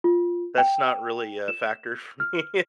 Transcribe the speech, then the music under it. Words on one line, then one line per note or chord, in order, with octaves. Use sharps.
that's not really a factor for me.
F4
G5
E7
F6